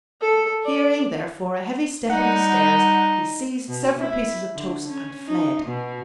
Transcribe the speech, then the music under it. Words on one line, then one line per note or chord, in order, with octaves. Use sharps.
Hearing, therefore, a heavy step on the stairs, he seized several pieces of toast and fled.
A4
D5
G3 D#4 F#5
B2
E4
D3
C#4
D#4
B2